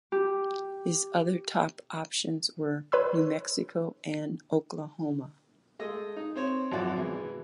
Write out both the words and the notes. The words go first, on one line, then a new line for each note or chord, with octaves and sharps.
His other top options were New Mexico and Oklahoma.
G4
B4 C#5 B5 C6 E6
G#3 A3 D#5 E6
D#4
C4 C5 C#5
G#1 F#2 F3 E4 F#4 D5
B2 E3 G#3